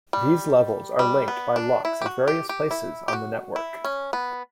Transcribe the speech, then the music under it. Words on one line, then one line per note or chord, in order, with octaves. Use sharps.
These levels are linked by locks at various places on the network.
G3
G3
B3
D4
E4
G4
F#4
G4
G4
E4
G4
F#4
E4
C#4
B3